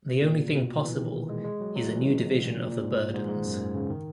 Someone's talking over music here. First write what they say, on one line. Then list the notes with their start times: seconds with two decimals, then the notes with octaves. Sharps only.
The only thing possible is a new division of the burdens.
0.22 A#2
0.53 B2
0.84 E3
0.99 D#3
1.29 G#3
1.45 G#3
1.61 F#3
1.75 F#3
1.91 E3
2.06 C#3
2.26 B2
2.46 A#2
2.67 A#2
2.83 G#2
3.14 G#2
3.28 G#2
3.44 F#2
3.75 C#3
3.90 D#3